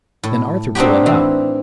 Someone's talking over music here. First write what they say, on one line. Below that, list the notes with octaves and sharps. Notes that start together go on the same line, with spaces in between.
Then Arthur pulled it out.
A2
C4 D4 D#4 F#4 G4
E3 C4